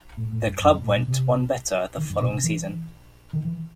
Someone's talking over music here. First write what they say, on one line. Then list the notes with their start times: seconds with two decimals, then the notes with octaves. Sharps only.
The club went one better the following season.
0.17 A2
0.33 A2
0.47 G2
0.62 F#2
0.74 G2
0.84 A2
0.96 B2
1.08 C3
1.98 D#3
2.10 G2
2.21 B2
2.32 C3
2.44 E3
3.33 D#3
3.45 E3